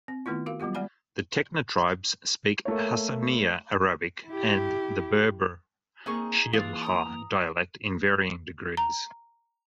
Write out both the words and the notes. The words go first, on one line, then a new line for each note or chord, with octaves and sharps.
The Tekna tribes speak Hassaniya Arabic and the Berber Shilha dialect in varying degrees.
C4
D#3 A3 B3 E4 F4
F#4 A#4 F5
F#3 G3 B3 F4 G4
G#3 D5 F#5 G#5 B5
A3 A#3 C#5
E4 G4
A#3 C4 D#4 G#4 C#6
E3 A#3 D4 F4 G#4
A#5 D#6
A#5